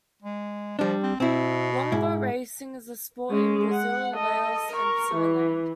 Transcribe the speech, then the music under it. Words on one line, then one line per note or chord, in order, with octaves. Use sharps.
Longboat racing is a sport in Brazil, Laos and Thailand.
G#3
F3 G3 D4
C4
B2 C4 E4
G#2 E4
G#3 C#4
F#5
A4 D#5
A#4 C#6
E3